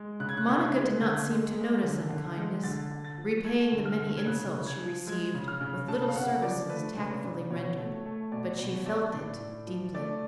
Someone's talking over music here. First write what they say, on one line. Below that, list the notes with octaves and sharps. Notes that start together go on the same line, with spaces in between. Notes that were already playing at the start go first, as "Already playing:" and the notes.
Monica did not seem to notice unkindness, repaying the many insults she received with little services tactfully rendered, but she felt it deeply.
Already playing: G#3
C#3 F#6
G#6
F#6
C#3
G#6
G#3
D3 G#6
G#3
G#3
D3
D3
G#3
D3 A6
D3
A6
F3
A3 G#6
D3
F6
D3
G#6
C#3 F#6
C#3
G#6
F3
G#3 G#6
C#3
F6
C#3
C#3 A5
F5
C#3 F#5
F3 D5
A3 B4
C#3
D5
C#3
B2 C#5
A3
A3
B2 D5
B2
C#5
A3 D5
A2 D5
A2
F3
A3 D5